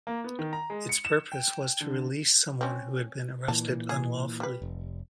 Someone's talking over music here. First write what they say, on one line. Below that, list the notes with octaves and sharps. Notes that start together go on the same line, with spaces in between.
Its purpose was to release someone who had been arrested unlawfully.
A#3
B3
D#3
A#5
G#3
C#7
E7
G5
D3
C4 C#4
A#2 E3 A5
G#4
G3 B4
F1